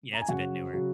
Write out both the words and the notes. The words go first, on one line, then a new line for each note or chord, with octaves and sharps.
Yeah, it's a bit newer.
A#5
G#5
F#2 C#3 F#3 F#4 F#5
C#3 F#3